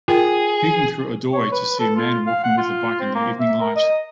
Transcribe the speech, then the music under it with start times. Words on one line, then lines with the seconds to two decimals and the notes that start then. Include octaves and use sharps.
Peeking through a doorway to see a man walking with a bike in the evening light.
0.09 F4 G#4 A#4 G5
1.34 C#5
1.52 B4
1.79 A4
1.96 F4
2.26 F5
2.43 F#5
2.58 F4
3.00 C4
3.15 A#3
3.40 E5
3.61 A#4
3.76 D#5